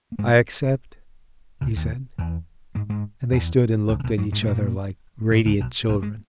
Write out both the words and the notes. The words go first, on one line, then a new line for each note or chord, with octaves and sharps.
"I accept," he said; and they stood and looked at each other like radiant children.
A#3
G#2 G#3
C#2 C#3
D#2 D#3
E2 E3
G#2 G#3
G#2 G#3
E2 E3
C#2 C#3
C#3
B1 B2
F#2 F#3
G#2 G#3
G#3
A#2 A#3
G#2 G#3
C#2 C#3
B1 B2
B1 B2
G#3